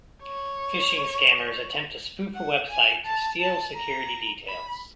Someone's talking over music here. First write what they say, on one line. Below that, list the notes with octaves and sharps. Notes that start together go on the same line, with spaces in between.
Phishing scammers attempt to spoof a website to steal security details.
C#5
F#5
G#5
A5
A5
A#5
B5